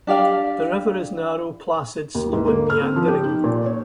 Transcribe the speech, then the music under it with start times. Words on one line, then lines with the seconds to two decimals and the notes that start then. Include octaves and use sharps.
The river is narrow, placid, slow and meandering.
0.07 D4 G4 D5 F5
2.15 D#2
2.33 G#2
2.48 A#3
2.70 F6
2.82 C4
2.96 F3
3.08 G4
3.25 D#4
3.44 A#2
3.66 C#5